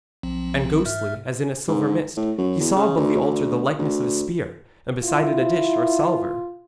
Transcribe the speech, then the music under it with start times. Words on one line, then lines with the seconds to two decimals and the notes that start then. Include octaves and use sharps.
And ghostily, as in a silver mist, he saw above the altar the likeness of a spear, and beside it a dish or salver.
0.23 B1 F3 C4
0.85 G#2 E5 F6
1.68 G#2
2.17 A2
2.38 F#2
2.60 E2
2.76 C#3
2.97 D2
3.22 D2
3.79 D2
5.03 E4 F4